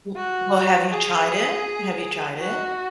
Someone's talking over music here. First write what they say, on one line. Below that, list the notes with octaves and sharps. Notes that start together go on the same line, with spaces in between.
W well, have you tried it? Have you tried it?
F#4
G#4
F#4